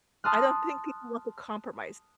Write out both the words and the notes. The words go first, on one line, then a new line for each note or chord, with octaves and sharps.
I don't think people want to compromise.
A5 C6 D#6 F6 F#6